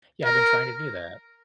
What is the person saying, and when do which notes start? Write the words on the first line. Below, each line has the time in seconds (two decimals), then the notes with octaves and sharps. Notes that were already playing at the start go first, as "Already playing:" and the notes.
Yeah, I've been trying to do that.
0.25 A#4